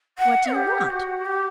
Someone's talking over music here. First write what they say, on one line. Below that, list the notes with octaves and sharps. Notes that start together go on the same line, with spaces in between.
"What do you want?"
F#5
G4
F#4
G4